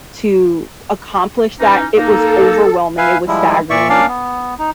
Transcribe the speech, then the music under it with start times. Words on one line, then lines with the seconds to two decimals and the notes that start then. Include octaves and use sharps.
to accomplish that, it was overwhelming, it was staggering.
1.59 E3 C#4 D#4
1.97 A#3 D#4 A4
2.98 B4 E5 F5 G#5
3.27 F3 G3 G#3 E4
3.70 A#2 D5 E5 C#6
3.89 A#3 C#4 D4 D5 F5
4.08 B3
4.59 D#4